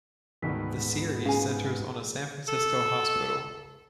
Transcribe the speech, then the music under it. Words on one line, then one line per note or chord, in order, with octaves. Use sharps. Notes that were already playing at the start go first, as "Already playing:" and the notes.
The series centers on a San Francisco hospital.
D2 G#2 D#3 E3 B3 B6
C#3 G#4 F5 G#5
A4